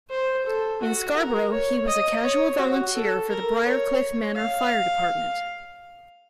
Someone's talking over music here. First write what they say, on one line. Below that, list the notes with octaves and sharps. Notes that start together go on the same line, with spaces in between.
In Scarborough, he was a casual volunteer for the Briarcliff Manor Fire Department.
C5
A4
F#4
A#4
C#5
D#5
C#5
F#4
A4
A#4
C#5
F5